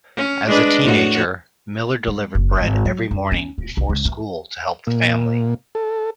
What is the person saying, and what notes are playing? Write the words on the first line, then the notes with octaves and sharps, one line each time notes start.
As a teenager, Miller delivered bread every morning before school to help the family.
C#4
G#3 D4 B4
A2 F#4 C#5
G3
F#1
G#1
F#3
F#2
C#4
D1
B1
C#2
E3
A#2
A4